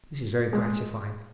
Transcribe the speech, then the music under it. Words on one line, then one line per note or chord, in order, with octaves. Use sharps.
This is very gratifying.
G#3